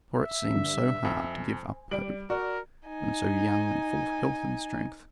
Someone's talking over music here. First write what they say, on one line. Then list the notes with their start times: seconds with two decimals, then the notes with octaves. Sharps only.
For it seemed so hard to give up hope when so young and full of health and strength.
0.18 E5
0.55 G2 D3
1.05 F2 C5 G#5
1.91 G3 D5 D7 F#7
2.30 F#4 A#4 D5
2.89 D#4 G#5